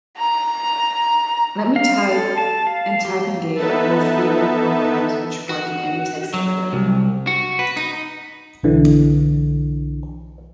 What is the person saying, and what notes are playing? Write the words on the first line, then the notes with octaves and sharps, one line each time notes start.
Letmetype and Typingaid are both freeware programs which work in any text editor.
A#5
F5
A4
A5
F5
G4
B3 D#4 A4 B4 E5 A5
F#4
F#3
C2
F#4
B4
D#4
B1 D3 E3